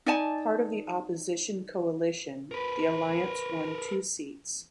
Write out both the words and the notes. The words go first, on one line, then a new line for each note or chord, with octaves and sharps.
Part of the opposition coalition, the Alliance won two seats.
D#4 D5 G#5 A5
A#4 B4